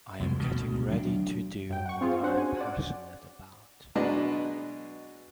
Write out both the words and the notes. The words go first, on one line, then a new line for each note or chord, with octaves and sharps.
I am getting ready to do what I am passionate about.
C2 F2 B2 G#3
D2 B2
D2 F#3 D4
F#2 G5
F#5 C#6
C4 F4 G#4
C#4 D4 F#4 C5 F#5
G#5
D5 F#5
B2 F#3 G#3 D4 B4 D#5